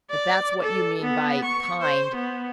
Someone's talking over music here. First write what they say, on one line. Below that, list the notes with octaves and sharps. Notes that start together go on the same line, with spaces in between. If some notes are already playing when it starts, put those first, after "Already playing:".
"If that's what you mean by 'kind'!"
D5
A4
B3
C#6
C5
B3